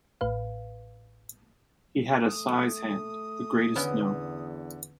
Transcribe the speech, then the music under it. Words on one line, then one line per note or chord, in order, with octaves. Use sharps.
He had a size hand, the greatest known.
A1 A2 B4 F5
A3 D#6
E2 D3 B3 C#4 E4